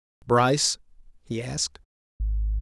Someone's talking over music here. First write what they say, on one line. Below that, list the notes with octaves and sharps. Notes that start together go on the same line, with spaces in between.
"Bryce?" he asked.
G#1